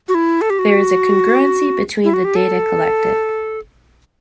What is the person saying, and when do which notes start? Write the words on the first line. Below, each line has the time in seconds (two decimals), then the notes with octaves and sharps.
There is a congruency between the data collected.
0.08 F#4
0.15 E4
0.41 A4
0.50 G4
0.59 F#4
2.04 E4
2.14 F#4
2.25 G4
2.36 A4